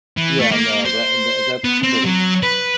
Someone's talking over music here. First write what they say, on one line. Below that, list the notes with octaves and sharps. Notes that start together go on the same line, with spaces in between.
Yeah, no, tha and tha that's sort of
E3
A3
A#3
C5
B3
C4
F#3
B4